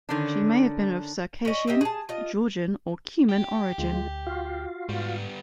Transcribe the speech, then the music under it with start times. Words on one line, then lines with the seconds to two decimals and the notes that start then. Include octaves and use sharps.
She may have been of Circassian, Georgian, or Cuman origin.
0.09 D3 D#3 C#4 D4
1.45 C#4 D#5
1.67 G4 D#5 E5
1.81 G#4 A5
2.09 F4 D#5
3.29 G4
3.78 D2 G#3 F4
4.27 F4 F#4 F5
4.89 G#2 G3 B3